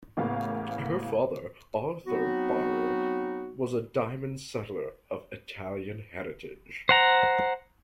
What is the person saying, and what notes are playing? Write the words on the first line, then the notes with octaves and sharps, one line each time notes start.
Her father, Arthur Bari, was a diamond setter of Italian heritage.
A1 A2 C#3 A#3 B3 F5
F#3 B3 C4 D#4 F#4
C5 F#5 A#5